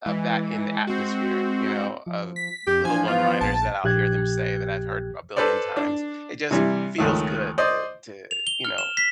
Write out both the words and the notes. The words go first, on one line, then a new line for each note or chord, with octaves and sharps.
of that in the atmosphere, you know, of little one-liners that I'll hear them say that I've heard a billion times. It just feels good to to, you know,
E3 G#3
C4 F#4
F3
B6
F2 G4
E3 F3 D4 G#5
B3 F4
A#1 A5
A#1 G4 F#6 G#6
A4 B4 C5 D5
D4
C3 E3 G3
C#2 D#3 F3 A3
C5 D5 D#5
F7
G7
F6
E7
B6